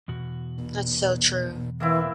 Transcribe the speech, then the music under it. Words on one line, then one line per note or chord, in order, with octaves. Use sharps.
That's so true.
E2 B2 F#4
E3 A#3 C4 E4